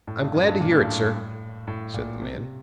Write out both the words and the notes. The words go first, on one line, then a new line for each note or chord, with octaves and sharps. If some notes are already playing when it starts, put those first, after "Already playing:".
"I'm glad to hear it, sir," said the man.
A2
G2
F#2
G2
A#2
A2
G2
A2
A2
A#2
C3
C3